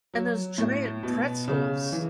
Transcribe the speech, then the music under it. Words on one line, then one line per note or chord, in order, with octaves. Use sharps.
And those giant pretzels.
F#3
A2
B2
C#3
E3